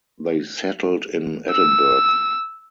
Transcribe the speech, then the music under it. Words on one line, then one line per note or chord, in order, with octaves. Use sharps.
They settled in Edinburgh.
E6